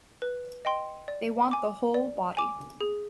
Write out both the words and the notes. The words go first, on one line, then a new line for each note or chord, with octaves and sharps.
They want the whole body.
B4
D#5 G5 C6
D5
G#5 D6
D5
G#5 D6
G#4